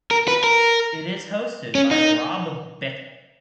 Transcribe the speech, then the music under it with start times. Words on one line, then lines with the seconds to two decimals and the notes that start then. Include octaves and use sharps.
It is hosted by Rob Beckett.
0.11 A#4
0.28 B4
0.44 A#4
1.75 C#4
1.91 D#4